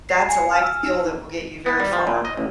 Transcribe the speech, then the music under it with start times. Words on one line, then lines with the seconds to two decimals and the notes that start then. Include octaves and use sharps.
that's a life skill that will get you very far.
0.09 C7
0.29 G#5
0.51 F6
0.63 E6
0.83 D#4
1.66 B3
1.80 G3
1.93 F3
2.07 A#2
2.25 D#5
2.37 A1